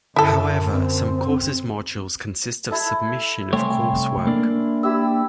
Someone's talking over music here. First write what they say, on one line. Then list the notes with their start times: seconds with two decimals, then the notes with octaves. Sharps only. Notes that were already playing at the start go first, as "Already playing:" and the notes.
However, some courses' modules consist of submission of coursework.
0.16 F#2 D3 E4 A4 E5
0.71 C4
2.71 E4 A4
3.53 C2 A3 C#5 G5 G#5 C6
4.27 A#3 D4
4.83 E4 G4 E6